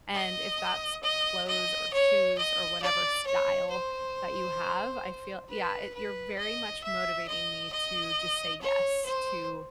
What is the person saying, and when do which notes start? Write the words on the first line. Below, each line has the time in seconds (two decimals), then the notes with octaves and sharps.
and if that's clothes or shoes or whatever style that you have, I feel yeah, it you're very much motivating me to just say yes to
0.15 D#5
1.03 D#5
1.48 D#5
1.93 C#5
2.38 D#5
2.82 D5
3.27 C#5
3.71 C5
5.49 B4
5.94 B4
6.39 D#5
6.84 E5
7.28 D#5
7.72 D#5
8.62 C#5
9.06 C5